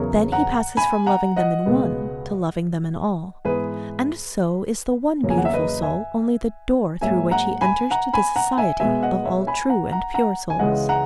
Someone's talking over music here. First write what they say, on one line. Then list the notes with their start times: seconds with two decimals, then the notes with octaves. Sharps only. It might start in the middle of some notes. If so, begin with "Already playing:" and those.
Then he passes from loving them in one to loving them in all, and so is the one beautiful soul only the door through which he enters to the society of all true and pure souls.
Already playing: E2 C#3 F#3 B3 A#4 C#5
0.32 F#5 A#5
0.77 G#5 B5
1.06 F#5 A#5
1.36 D#5 F#5
1.66 C#2 B2 G#3 B3
3.45 G#2 E3 G#3 B3 G#4 B4
5.23 E2 C#3 F#3 A#3
5.30 G#5
5.38 F#5
5.45 E5
5.53 B4 D#5
5.82 E5 G#5
7.01 G#2 F#3 A#3 E5 G#5
7.31 F#5 A#5
7.61 G#5 B5
7.91 F#5 A#5
8.13 G#5 B5
8.36 F#5 A#5
8.58 E5 G#5
8.80 B2 G#3 B3 E5 G#5
9.03 D#5 F#5
9.25 C#5 E5
9.47 G#5 B5
9.69 F#5 A#5
9.92 F#5 A#5
10.14 F#5 A#5
10.50 G#5
10.59 C#2 C#3 E3 G#3 D#5 F#5
10.89 F#5 A#5